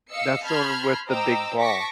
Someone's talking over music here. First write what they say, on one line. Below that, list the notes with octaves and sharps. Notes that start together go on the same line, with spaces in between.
that's the one with the big ball
D#5 F5 E6 C#7
A5 B5 C6 F6 G6 G#6
C5 D#5 G5 A#5 D6 E6
A5 C#6 D6 A#6 B6